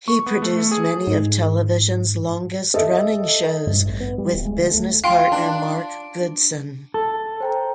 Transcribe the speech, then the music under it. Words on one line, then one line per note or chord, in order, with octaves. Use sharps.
He produced many of television's longest running shows with business partner Mark Goodson.
C#6
B3
A3
A3
G#4
G#2
A4 D#5 E5
G2
A1
B3
G3
D1
G#3
D2
A3
F4 F5 G5 C6
D4
A4
C5 G5 A#5